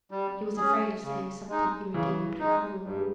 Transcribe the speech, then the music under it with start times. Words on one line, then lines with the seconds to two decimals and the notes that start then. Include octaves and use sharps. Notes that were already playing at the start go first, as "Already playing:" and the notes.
He was afraid of saying something irremediably cruel.
0.11 G3
0.56 C#4 G#4
1.03 C#3
1.49 G#3 D#4
1.94 C#3 E3
2.40 G#3 D#4
2.85 G2 G3
2.96 G#3